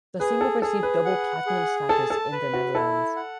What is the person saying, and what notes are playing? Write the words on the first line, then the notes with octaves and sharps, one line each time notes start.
The single received double platinum status in the Netherlands.
G#4 B4
A4
G#4 A4
B4
F#5
G#4
A4 A5
A4
B4
F#4
E4 A4
F#5